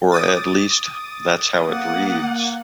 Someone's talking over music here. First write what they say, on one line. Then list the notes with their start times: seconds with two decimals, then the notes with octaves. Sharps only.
Or at least, that's how it reads.
0.12 D6 D#6 A6
1.69 A#3 F#5